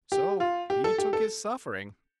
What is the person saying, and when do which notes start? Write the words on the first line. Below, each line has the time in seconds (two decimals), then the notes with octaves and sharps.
So 'he took his suffering.'
0.12 G4
0.40 F4
0.70 G4
0.84 A4
0.98 G4
1.13 A4